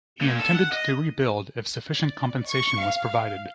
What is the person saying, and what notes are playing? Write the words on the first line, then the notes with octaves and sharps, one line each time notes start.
He intended to rebuild if sufficient compensation was provided.
A#2
A4
F#5
D#5
D5
C#6
F5